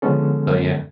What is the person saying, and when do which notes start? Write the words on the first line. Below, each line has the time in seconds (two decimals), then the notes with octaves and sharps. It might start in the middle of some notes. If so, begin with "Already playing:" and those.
So, yeah.
0.02 D3 F3 G#3 B3 C#4 A4